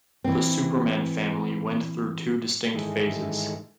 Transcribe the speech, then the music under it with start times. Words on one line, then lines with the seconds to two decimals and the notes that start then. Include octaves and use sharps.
"The Superman Family" went through two distinct phases.
0.24 E3 C4
2.74 G#2 D#3 E3 G#3 A3